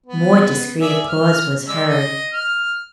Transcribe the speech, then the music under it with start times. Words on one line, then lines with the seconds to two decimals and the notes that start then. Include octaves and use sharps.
More discreet applause was heard.
0.06 B3
0.81 G#4 D5 E5
1.09 F6
1.68 G#3 D5 E6
1.88 D#5
2.33 F6